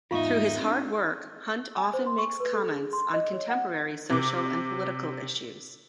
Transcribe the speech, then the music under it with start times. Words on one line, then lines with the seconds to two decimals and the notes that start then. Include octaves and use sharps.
Through his work, Hunt often makes comments on contemporary social and political issues.
0.11 E2 G#2 D#4 F4 E5 F5 C#6
0.57 C4 D4
1.77 G#5
1.94 C5
2.06 C6
2.18 C#6
2.40 B4
2.53 A4
2.70 G#4
2.93 C6
3.14 D#5
3.33 C#5
3.50 F#5
4.10 C3 D6